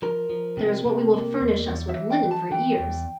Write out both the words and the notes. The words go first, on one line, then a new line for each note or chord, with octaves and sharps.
There is what will furnish us with linen for years.
F3 A#4
F3
C3
C3
A#3
E2
E2
E5
E3
G5
E3
A5
E3 G5
E2